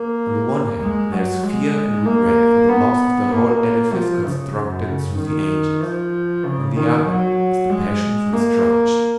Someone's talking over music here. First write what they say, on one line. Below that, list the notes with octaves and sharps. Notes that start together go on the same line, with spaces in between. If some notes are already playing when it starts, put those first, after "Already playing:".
On the one hand there is fear and regret for the loss of the whole edifice constructed through the ages, on the other is the passion for destruction.
Already playing: A#3
G#3
F#3
G#3
A#3
B3
A#3
F3
C#3
F#2
C#3
D#3
F3
C#3
D#3
F#3
G#3
A#3